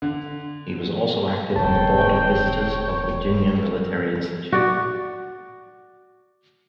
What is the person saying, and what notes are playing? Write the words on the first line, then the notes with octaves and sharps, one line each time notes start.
He was also active on the Board of Visitors of Virginia Military Institute.
D3
E1 D3 C4 C#5 G5 A5
F#4 D5